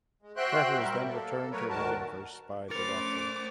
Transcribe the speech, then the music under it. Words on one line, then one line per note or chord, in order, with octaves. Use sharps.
Carter is then returned to her universe by the Watcher.
G#3
F#4 C5 E5 G5 C6 F#6
A#2 F#3 G3 A#4 E5
A#3 A4
F#3 A3 A#4 B4 C#5
D2 A#2 D#3 F#4 A#4 A5
A3 C#4 A#4 C5 D6 A6 C#7 F7